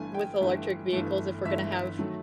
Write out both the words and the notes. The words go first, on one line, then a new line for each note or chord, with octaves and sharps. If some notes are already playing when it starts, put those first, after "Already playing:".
with electric vehicles if we're gonna have
Already playing: G1 G2 E3 A3 G#5
G5
G1 G2 E3 A3
G1 G2 E3 A3
G1 G2 E3 A3 E5
D#3 F#3 A3